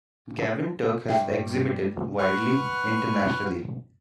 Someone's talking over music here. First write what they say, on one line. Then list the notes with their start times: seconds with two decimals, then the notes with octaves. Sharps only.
Gavin Turk has exhibited widely internationally.
1.08 G2 G3 E5 G5
2.18 B4 F#5 C#6 F6